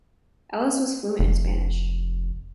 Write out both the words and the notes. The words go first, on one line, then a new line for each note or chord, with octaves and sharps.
Ellis was fluent in Spanish.
F1